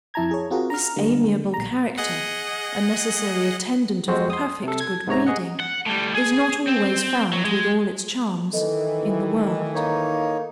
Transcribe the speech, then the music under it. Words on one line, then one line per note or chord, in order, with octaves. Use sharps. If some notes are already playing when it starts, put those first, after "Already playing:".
This amiable character, a necessary attendant of perfect good breeding, is not always found with all its charms, in the world.
F2 E4 A5 A#5 G#6
G#4 C#5
C4 F4 F#4 G#4 A#4
A#5 F6
D3 G3 A#3
A#1 A#5
G#4 D#5 F#5
F2 G#3 C4 F#4 C5
C6 D#6
C3 A4
G#6
G#2 C3 C#5 A#5
G#4 D#5 F#5
F#5
A2 G3
G#4
C4
F#3
G#3
D#3 E3 A4 D#5
A#3 D#4 C#5